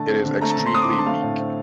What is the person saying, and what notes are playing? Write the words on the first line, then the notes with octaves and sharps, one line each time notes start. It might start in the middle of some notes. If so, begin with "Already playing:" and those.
It is extremely weak.
Already playing: D3 A3 A5
C4
D3
A3 A#5
A5
D3 A#5
C6
C4 D#6
D6
D3 C6
A5
A3 F5
A2
C4